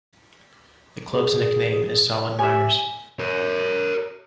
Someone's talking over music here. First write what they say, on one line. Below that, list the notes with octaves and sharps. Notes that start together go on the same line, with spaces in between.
The club's nickname is "Solid Miners".
G#4
G4 E5 G#5
A#4 C#5